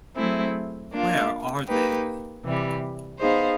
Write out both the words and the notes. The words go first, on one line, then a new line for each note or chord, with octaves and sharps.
Where are they?
F#3 A3 C4 E4 G#4
A#3 D4 F4
A#3 D#4 G4 B4
C3 E3 G3
B3 D#4 G#4 C5 F5